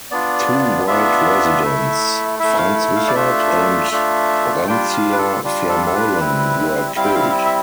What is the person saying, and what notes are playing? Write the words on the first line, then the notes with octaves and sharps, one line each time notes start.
Two white residents, Frans Richard and Rencia Vermeulen were killed.
B3 D4 F4 D5
B3 D4 F4 E5
A3 E4
A3 E4 E5
F5
F5
D5
A3 D4 F4 E5
A3 D4 F4
G3 D4 F4 G5
F5
B4
A4
G3 D4 F4
A4
A4
B4
G3 C4 E4
G3 C4 E4 F5
G5
F5
E5